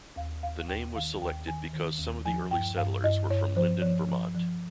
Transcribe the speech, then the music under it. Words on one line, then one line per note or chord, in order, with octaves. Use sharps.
The name was selected because some of the early settlers were from Lyndon, Vermont.
D#2 F5
D#2 F5
F5
D#2 G5
D#3 F5
D#2 G5
D#3 G#5
D#3
D#2
F3 G#5
G2 G5
G2 F5
G2 D#5
G2 C#5
F3 C5
F3 C#5
F3
F3